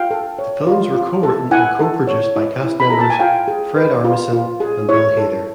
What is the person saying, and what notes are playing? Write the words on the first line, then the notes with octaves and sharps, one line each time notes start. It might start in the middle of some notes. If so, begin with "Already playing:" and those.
The films were co-written and co-produced by cast-members Fred Armisen and Bill Hader.
Already playing: F4 F5 G5
A4
C#5
F4
F4
A4
E4 F#5 G#5
A4
C#5
E4
E4
B5
A4 A#5
A5
G#5
F4 F5 G5
G#4
B4
F4
F4
G#4
E4 C#5
A4